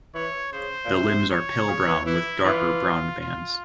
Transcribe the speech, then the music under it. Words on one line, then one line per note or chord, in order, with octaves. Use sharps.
The limbs are pale brown with darker brown bands.
E3 C#5
C#3 C5
A#2
C3
C#5
C#3
E3
E3 E4
E3 F4
F4